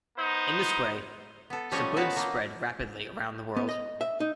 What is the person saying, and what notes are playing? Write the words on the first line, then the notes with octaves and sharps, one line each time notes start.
In this way, Subud spread rapidly around the world.
B3 D#4 C5
B3 A4
F3 G3 A3 C#4 C#5 D#5
B3 D#4 F#4 B4 F5 A5
A#3 D#4
B3
D#5
E5
D#4